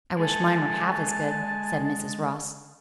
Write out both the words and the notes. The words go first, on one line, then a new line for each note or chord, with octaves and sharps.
"I wish mine were half as good," said Mrs. Ross.
G#3 A4 G#5 A5